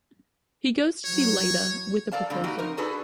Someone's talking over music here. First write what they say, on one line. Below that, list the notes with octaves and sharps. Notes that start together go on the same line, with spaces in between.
He goes to see Lyta with a proposal.
E3 F#3 C#5
A4 A#4 D5 F5 A5
A#2 D3 G3 C4
A#3 D#4 F#4 G4 A#4
C3 D#4 A#4
D4 D#4 F#4 G#4 A4 B4